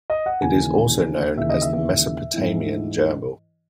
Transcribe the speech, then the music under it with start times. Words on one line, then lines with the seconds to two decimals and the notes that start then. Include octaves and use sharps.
It is also known as the Mesopotamian gerbil.
0.10 D#5
0.26 F#5
0.41 D#2 C#3 E3 G#5
1.38 D#2 C#3 E3 E5
1.49 D#5
1.62 E5
1.73 E5
2.34 G#2 E3